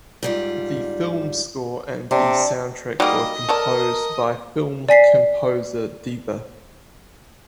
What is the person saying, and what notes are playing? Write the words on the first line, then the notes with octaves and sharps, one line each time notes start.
The film score and the soundtrack were composed by film composer Deva.
G#2 G3 F4
C3 D4
F#3 G3 A#3 D#4 G#4 D#5 D#6
A4 A#4 C#5 D5 A5
D5 G#5 B6 C7